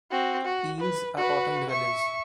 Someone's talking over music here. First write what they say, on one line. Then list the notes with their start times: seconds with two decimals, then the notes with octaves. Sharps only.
Eels are bottom dwellers.
0.11 C4 F#4
0.45 F#4
0.80 B4
1.17 F#4 B4
1.70 E5 C#6